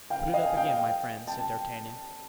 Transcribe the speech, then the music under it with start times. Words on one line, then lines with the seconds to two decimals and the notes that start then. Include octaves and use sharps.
"Put it up again, my friend," said D'Artagnan.
0.10 F5 G5
0.34 D#5 F5
0.45 G#5
0.57 F5 G5
1.27 G5 A5